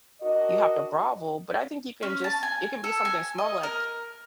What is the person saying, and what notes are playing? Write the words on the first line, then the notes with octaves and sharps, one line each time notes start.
you have to grovel, but I think you can just it can be something small like,
D4 F#4 A#4 D#5
C#4
A5
G#5
A4
G#5
D#5
A#4